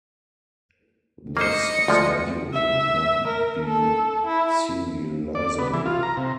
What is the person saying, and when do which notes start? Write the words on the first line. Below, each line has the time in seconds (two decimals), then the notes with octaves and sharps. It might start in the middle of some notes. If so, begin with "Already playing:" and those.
This schedule would not be serializable.
1.37 A#3 C5 D#5 C#7
1.88 D2 F3 G#3
2.53 E5
3.28 A#4
3.64 A4
4.27 E4
5.35 D5
5.59 B3
5.74 E3
5.86 F4
6.03 A#5
6.17 C3